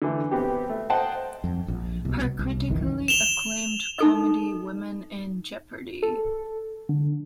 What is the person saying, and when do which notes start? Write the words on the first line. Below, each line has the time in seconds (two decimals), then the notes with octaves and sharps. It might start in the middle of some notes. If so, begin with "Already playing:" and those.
Her critically acclaimed comedy Women in Jeopardy!
0.02 D3 E3 A3
0.31 B3 C4 G4
0.69 A3
0.90 C5 D#5 F#5 G5 A5
1.44 F2
1.68 A#1
2.05 C2 B2
2.39 C2
2.69 F#1 C2 D#3 E3
3.08 E7 F7 G7
3.99 D#4 A4 D#5
6.03 A4
6.89 D3